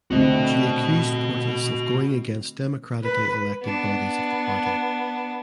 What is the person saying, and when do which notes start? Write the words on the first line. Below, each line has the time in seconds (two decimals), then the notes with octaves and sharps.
She accused Portas of going against democratically elected bodies of the party.
0.11 D3 A3 C4 F#4 D#5
3.03 B4
3.62 B3 D4